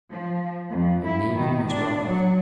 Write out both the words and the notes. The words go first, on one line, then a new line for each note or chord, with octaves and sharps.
And Naaman was wroth....
F3
F2
E4
D#3
D4
F#3